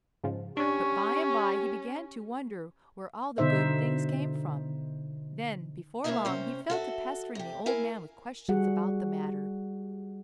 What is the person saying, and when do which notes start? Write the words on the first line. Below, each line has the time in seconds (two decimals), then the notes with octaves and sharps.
But by-and-by he began to wonder where all the good things came from. Then, before long, he fell to pestering the old man with questions about the matter.
0.24 G#2 C#3 F3
0.57 C#4 D4 G4 C#6
3.38 B2 D3 D#4 C5 E5
6.04 C3 A#3 C4 E4 E5 F5
6.25 C3 C#4 C5
6.70 F#4 A4 E5
7.35 C3 G4
7.66 E4 A#4 F5 G#5
8.49 G3 F#4 G#4 F#5